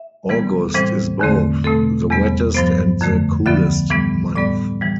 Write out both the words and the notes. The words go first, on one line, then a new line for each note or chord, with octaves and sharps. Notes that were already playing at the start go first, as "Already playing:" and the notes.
August is both the wettest and the coolest month.
Already playing: E5
C3 E3 G3 B3
A2 E3 G3 C4 C5
E2 D3 A3 C4
B2 A3 C4 A4
E2 C3 G3 B3
G2 F3 B3 C5
F2 D3 A3
D2 D3 F3 B3 E5
A2 E3 G3 B3
A2 G3 B3 D5
E3 G3